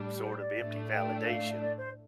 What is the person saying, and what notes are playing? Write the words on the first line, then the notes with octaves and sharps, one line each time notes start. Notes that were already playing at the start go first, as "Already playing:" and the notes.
sort of empty validation
Already playing: A2 G3 D4
C5
D5
A2 A3 D4
G5
F5
D5
C5